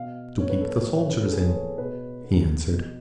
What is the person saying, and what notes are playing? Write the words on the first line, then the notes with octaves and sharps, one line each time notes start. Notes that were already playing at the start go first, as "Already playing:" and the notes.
"To keep the soldiers in," he answered.
Already playing: B2 F5
B3 C#5
B4
A4
B4
A2 C#5
A4
B4
A4
B3 G#4
C#5
B4
B2 B4
B3
B2